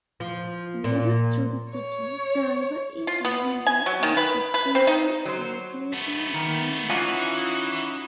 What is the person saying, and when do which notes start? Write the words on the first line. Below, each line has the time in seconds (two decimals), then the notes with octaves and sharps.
Wooded through the city, the river is lined by an extensive recreational greenbelt.
0.20 F3
0.84 A#2
1.71 C#5
3.07 F4
3.25 B3
3.67 G#5
3.86 F#3
4.03 D#3
4.17 B4
4.54 B4
4.75 C4
4.87 D#4
5.25 F#3 C5
5.93 A3 B3
6.34 D#3
6.89 E3 C#4 D#4 F4 F#4